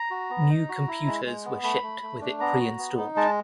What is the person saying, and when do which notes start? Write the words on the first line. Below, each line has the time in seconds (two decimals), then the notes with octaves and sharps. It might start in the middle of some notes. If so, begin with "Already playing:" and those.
New computers were shipped with it pre-installed.
Already playing: A#5
0.11 F#4
0.30 B3
0.50 D#4
0.69 F#4
0.87 E4
1.06 G#3
1.25 G#3
1.45 B3
1.63 A3 B5
1.83 A3
2.02 A3
2.21 D4
2.40 B3 A#5
2.60 F#4
2.78 B3
2.97 D#4
3.16 G#3 A5